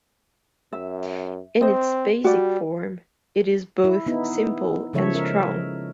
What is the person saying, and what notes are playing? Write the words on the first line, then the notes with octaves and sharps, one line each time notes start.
In its basic form it is both simple and strong.
F#2 E5
C4 C5 D#5
G3 F#4 D5
E4
B3 D#4 E4
C#3 F3 G#3 A4 C#5 E5
A#4 E5